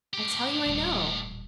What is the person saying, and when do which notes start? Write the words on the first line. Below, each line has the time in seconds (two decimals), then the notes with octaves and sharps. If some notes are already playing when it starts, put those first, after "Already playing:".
"I tell you I know."
0.13 A2 G4
0.66 D#1 A1